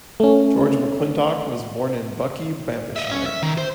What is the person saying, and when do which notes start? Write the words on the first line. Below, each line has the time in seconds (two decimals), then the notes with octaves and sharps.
George McIntosh was born in Buckie, Banffshire.
0.20 A3 C#4
2.96 D#5 E5
3.11 C#4
3.25 E5
3.43 D#3
3.58 C5